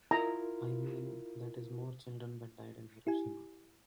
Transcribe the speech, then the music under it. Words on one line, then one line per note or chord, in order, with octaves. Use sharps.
I mean, that is more children than died in Hiroshima.
E4 F4 A#4 A#5
E4 G4 G#5